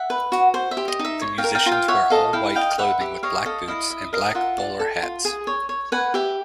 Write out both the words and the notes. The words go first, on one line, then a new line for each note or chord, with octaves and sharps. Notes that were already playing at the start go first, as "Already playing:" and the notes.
The musicians wear all-white clothing with black boots and black bowler hats.
Already playing: E5 F#5
B4
F#4
C5
E5
G4
D#5
D#4
E5
C#5
F5 G5
A#4
F5 G5
F4
F5 G5
C#5 E5 F#5
A4 D#5 F5
E4 F5 G5
D#5 F5 G5
B4 E5 F#5
G4 E5
C#5 D#5 F5
A4 D#5 F5
E4 D#5 F5
D#5 E5
A#4 D#5 F5
F4 E5 F#5
D5
A4
F4
G#4
C#5
C#5
B4 F#5 G#5
G4 E5